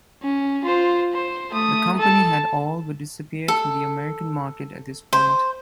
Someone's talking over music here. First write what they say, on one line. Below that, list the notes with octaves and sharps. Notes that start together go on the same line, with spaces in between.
The company had all but disappeared from the American market at this point.
C#4
F4 C5
C5
A3 D#6
A4 A5
A4
C5